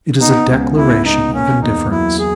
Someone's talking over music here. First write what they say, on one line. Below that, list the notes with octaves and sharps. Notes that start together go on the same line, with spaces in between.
It is a declaration of indifference.
B3 D#4
C#2
B3 E4
B3 D#4
A#3 C#4
E2 D#4
F#3 E4
G#4